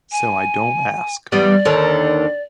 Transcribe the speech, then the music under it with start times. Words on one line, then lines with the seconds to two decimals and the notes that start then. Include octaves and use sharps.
So I don't ask.
0.12 G#5
1.32 E2 G3 B3 D5
1.65 D#2 D3 D#3